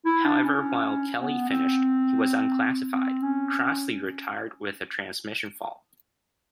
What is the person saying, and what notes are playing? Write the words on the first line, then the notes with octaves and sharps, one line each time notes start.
However, while Kelly finished, he was unclassified; Crossley retired with a transmission fault.
E4
D4
C#4
B3
C4
C4
C#4